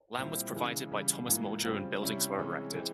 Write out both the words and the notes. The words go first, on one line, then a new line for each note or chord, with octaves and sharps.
Land was provided by Thomas Muldrow and buildings were erected.
A#2 G3 C4 E4
C#3 E3 G#3
C#3 E3 G3
G#2 E3 A#3 F4
C#3 G3 C4 F4
C3 G3 C#4 E4
C3 E3 G#3 C#4
E3 G#3 C4